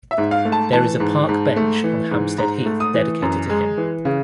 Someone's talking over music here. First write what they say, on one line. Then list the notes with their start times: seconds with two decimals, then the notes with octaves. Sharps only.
There is a park bench on Hampstead Heath dedicated to him.
0.11 E5
0.18 G#2
0.31 F5
0.45 A3
0.52 A5
0.73 E3 A5
1.00 G#2
1.29 G#2
1.56 A3
1.84 E3
2.11 G#2
2.38 G#2 A#5
2.66 A3
2.80 D#6
2.94 E3
3.22 F#2
3.50 G#3
3.78 E3
4.05 C#3